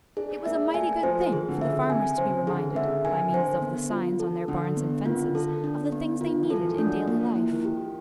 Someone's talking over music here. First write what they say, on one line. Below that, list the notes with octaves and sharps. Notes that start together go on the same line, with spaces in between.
It was a mighty good thing for the farmers to be reminded, by means of the signs on their barns and fences, of the things they needed in daily life.
D4 G#4
A#3 E5
A3 G#5
F3 C5
D#3 G#4
D3
C#3 E5
C3 G#5
C#3 C5
D3 G#4
C#3
D3 E5
D#3 G#5
D3 C5
B3
F4
A4
D3 D4
B3
D#3 F4
D3
C#3
D3 A4
D4
B3
D#3 F4
E3
A4
E3
F3
D4
F#3
F3 A#3
E4
D#3
G4